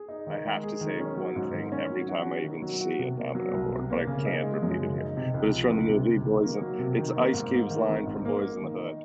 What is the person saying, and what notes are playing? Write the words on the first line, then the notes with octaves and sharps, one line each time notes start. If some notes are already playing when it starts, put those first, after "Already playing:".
I have to say one thing every time I even see a domino board, but I can't repeat it here. But it's from the movie Boyz n it's Ice Cube's line from Boyz n the Hood
Already playing: G#4
D#4
D#3
G#3
G#4
D#3
C#4
F#3
G#2
D#3
C#4
F#3
F#4
C#4
D#3
F#3
F#4
C3
A#3
F#3
C2
C3
A#3
C#3
D#4
G#3
F#2
C#3
D#4
C3
C#2
F3
C#2
C3
C#2
D#3
A#3
F#3
C3
D#3
A#3
G#2
A#3
D#3
G#1
G#2
A#3
A#3
D#3
D#4